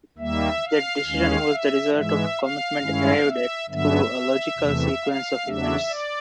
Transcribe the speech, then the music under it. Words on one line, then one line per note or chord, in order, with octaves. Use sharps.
That decision was the result of a commitment arrived at through a logical sequence of events.
D#2 D#3 G3 A#3 E5
F5
D#2 D#3 G#3 C#4
E5
G#2 E3 G#3 E5
F5
G2 D#3 G#3 C#4 E4
E5
G2 D3 F#3 B3 E5
E2 C3 E3 A3
F5
E2 C#3 F#3 A3 D4 E5
D5